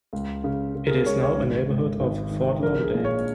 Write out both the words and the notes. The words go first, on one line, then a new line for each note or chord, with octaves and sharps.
It is now a neighborhood of Fort Lauderdale.
C#2
C#3
C#3
A#4
G#4
C#2 C#5
C#5
G#1
G#2
G#1
D#3
A#1 A#4
G#4
A#2
C#5